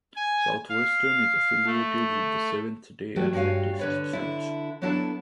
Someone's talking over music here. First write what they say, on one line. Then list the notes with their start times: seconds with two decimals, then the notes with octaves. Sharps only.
Southwestern is affiliated with the Seventh-day Adventist Church.
0.16 G#5
0.69 F5
1.66 A3
3.16 E2 F#3 G3 A3 G5
3.33 G2 F#4 C#5 F5 G#5
3.79 D3 B4 C#5
4.13 D3 E4
4.82 F#3 B3 D4 E4 A4 A5